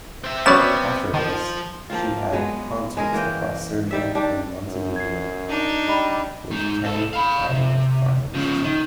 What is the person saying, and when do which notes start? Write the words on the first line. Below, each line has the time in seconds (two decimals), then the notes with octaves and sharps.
After this, she had concerts across Serbia and Montenegro with ten "Idol" finalists.
0.24 C4 E5
0.46 F#3 G3 B3 C#4 C#5 D5 E7
1.14 D#3 F3
1.90 F3 A#3 C4 F4
2.32 F#3 G#3 B3
2.97 G#3 G#4 A#4
3.13 E3 A#3 C#4 G5
3.91 D#3 G3 E5
4.15 D#3 G3 D4
4.67 F#2
4.96 G#6 C7
5.49 D4 D#4 D#5
5.88 G3 D#5 B5 D6
6.51 G#2 D#4
6.84 C2 A4
7.13 F5 B5
7.50 C3
8.34 C#3 F3
8.64 D#3